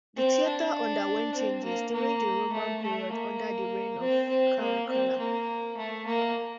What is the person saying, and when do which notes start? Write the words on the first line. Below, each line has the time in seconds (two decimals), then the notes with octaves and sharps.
The theater underwent changes during the Roman period under the reign of Caracalla.
0.16 C4
0.46 D4
1.35 C4
1.63 A#3
1.93 A#3
2.52 A3
2.82 A3
3.11 A#3
4.00 C4
4.29 C4
4.59 A#3
4.88 C4
5.18 A#3
5.77 A3
6.06 A#3